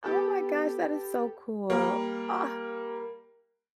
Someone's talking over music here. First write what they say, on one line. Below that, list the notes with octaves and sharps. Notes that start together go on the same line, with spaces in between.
Oh my gosh, that is so cool. Ah,
B3 G4 A4
G3 A#3